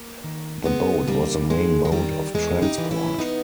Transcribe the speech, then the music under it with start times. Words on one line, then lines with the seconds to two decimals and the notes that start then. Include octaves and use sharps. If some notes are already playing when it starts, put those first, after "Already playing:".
The boat was the main mode of transport.
Already playing: A#3
0.24 D#3
0.65 G#2 G#3 B3
1.07 D#3 G3 A#3
1.50 G#2 G#3
1.85 G#3
1.92 D#3 G3
2.34 E2 G#3
2.62 D#4 G4
2.78 C#3 E3
2.91 C#4 E4
3.19 B3 D#4